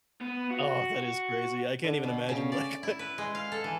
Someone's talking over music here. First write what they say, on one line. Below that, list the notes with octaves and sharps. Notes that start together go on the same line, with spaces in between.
Oh, that is crazy. I can't even imagine like,
B3
F#4
F#4
D3
B2
C#3
D5
E4
B4
G#3
F5
A4
E3